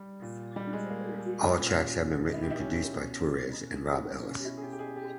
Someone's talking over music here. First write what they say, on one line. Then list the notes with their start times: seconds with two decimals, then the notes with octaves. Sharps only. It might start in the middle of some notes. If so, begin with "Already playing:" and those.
All tracks have been written and produced by Torres and Rob Ellis.
Already playing: G3
0.22 A#2
0.56 G3
0.73 G#3
0.90 A#3
1.58 A#2 C#4
2.25 D#4
2.34 E4
2.42 G4
2.51 E4
2.60 C#4
2.93 B2
3.95 C#4
4.06 A#3
4.17 A#3
4.28 B2 C#4
4.45 E4
4.57 G#4
4.62 G4
4.72 G4
4.79 G#4
4.96 G4